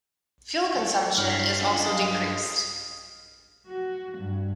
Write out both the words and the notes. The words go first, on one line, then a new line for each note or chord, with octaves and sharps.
Fuel consumption is also decreased.
C4 A4
G2 E4 C#5 F6
B6 C7
C#4 F4 A4
F#2 D#5 F5 D#6
F#4
G2